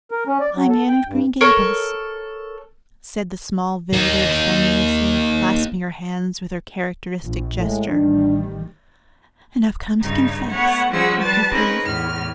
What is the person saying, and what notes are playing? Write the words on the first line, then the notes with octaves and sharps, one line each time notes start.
"I'm Anne of Green Gables," said the small visitor tremulously, clasping her hands with her characteristic gesture, "and I've come to confess, if you please."
A#4
C#4
D5
F#3
A4
G5
G2
A4 A#4 C#5
A#3 D#4
A#1
A2 G#3
A1 D#3 G3 D4
G2 C#3 G3 D#4
A3 B3 C#5 F#5
F3 G3 C#4 G#4 F#5 E6
G3 B4 A5 A6
C4 C#4 D#4 G#4 A#4 B4
E2 A2 F6